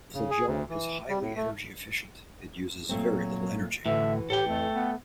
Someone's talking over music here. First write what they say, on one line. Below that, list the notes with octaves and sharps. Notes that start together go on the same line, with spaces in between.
The flagellum is highly energy efficient and uses very little energy.
C#3
G#4
D2
E3
G3
A2
A3
A#2 F#3 A3 C4
A2 D3 E3 F#4 E5
A2 G4 A4 G5
F2 A3
B3